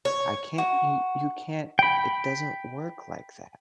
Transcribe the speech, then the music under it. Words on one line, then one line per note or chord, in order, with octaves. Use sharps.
I can't, you you can't, it doesn't work like that.
C#5
F#4
G5 B5